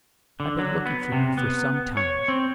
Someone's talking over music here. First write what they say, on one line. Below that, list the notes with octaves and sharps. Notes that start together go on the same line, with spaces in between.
I've been looking for you for some time.
D3
F#3
B3
C3
B3
C#5
C4